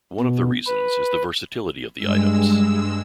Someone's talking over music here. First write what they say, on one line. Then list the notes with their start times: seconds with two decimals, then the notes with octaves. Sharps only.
One of the reasons is the versatility of the items.
0.20 B2
0.67 B4
1.97 G2 G#3 E6